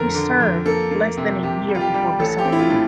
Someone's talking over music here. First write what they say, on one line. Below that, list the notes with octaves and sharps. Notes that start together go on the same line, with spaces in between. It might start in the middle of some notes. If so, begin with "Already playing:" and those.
He served less than a year before resigning.
Already playing: F2 D3 F3 A#4
D3
F2
A#3 A4
A#3
C3
C3 G4
G3
F4
G4
G3
A1 A4
G4
C4
E4
F4
A2